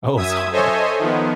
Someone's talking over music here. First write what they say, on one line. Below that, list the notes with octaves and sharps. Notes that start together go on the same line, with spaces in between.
Oh, it's harder.
F#2 E5 D#6 G#6
A4 C5 C#5 D#5 E5 G#5
D#3 F3 B3